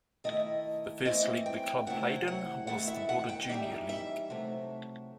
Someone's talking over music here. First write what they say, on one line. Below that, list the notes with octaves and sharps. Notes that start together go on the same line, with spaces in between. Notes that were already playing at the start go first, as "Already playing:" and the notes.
The first league the club played in was the Border Junior League.
D#3 A3 E4 D#5
E3 A3 C4 E4 D#5
G5
C3 F#3 A3 E4 F#5
F#5
D#3 A3 E4 F#5
E5
F#5
G5
E3 G3 D#4 E5
E5
C3 F#3 A3